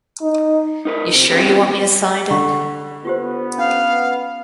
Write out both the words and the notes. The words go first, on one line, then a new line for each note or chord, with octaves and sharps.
You sure you want me to sign it?
D#4
D#4 A#4 B4
C3
C4 C#4 G4 G#4 B4
B3 C#4
D3 F#5 B5 C#6
B3 F4 G4 C5
C#4 F5